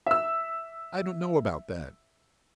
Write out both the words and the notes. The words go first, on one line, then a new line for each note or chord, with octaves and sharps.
"I don't know about that."
E5 E6